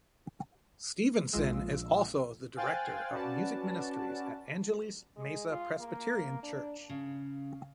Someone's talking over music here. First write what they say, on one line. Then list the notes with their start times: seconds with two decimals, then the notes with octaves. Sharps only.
Stevenson is also the director of music ministries at Angeles Mesa Presbyterian Church.
1.33 A#1 G#3 F4 E6
2.56 C5 F5 G5 G#5 F#6 A6
3.10 C#4 F#4 B4 D5 A5
5.16 G#3
5.51 F4
5.80 A#3
6.43 D4
6.89 C#3